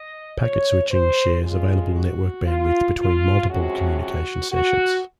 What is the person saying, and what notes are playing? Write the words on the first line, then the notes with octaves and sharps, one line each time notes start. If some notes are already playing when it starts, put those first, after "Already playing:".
Packet switching shares available network bandwidth between multiple communication sessions.
Already playing: D#5
C#5
C5
F2 C#3 G#3 C#4 F4
F#4
F4
F4
C3 F3 G#3 C#4 F#4
F#4
F#4